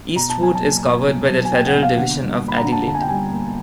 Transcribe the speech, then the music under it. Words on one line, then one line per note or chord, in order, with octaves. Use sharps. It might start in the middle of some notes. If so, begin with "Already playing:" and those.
Eastwood is covered by the federal Division of Adelaide.
B2 A#5
A5
F#3 G#5
A5
A#3
B2
B2
F#3
G#5
A#3 G5
F#5
B2
F5
D3 F#5
G3
A#3
B5
A#5
D4
A5
D3 A5
G#5
G5
G3 G#5
A#3